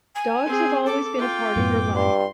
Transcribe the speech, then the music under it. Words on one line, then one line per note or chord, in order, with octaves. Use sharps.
Dogs have always been a part of her life.
G#5
C4 G#4
A4 D6
F4 G5
F#2 A2 B3
G2 C6